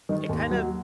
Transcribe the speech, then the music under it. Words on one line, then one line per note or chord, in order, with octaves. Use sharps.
It kinda
D#3
D#2
F#3